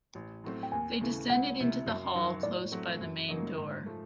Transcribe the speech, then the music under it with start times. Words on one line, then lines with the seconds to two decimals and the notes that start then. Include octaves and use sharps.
They descended into the hall close by the main door.
0.15 A1
0.44 A2 F#3 A3 C4
0.63 G5
0.72 D#2 G#5
1.01 C#3 E3 A3
1.29 C#2 F#5
1.58 C3 E3
1.86 F#2
2.15 D#3 F#3
2.43 A2 D5
2.72 F#3 A3 C4
3.01 F#2
3.29 C#3 F#3 A#3 D#4
3.57 G#2
3.86 F3 A3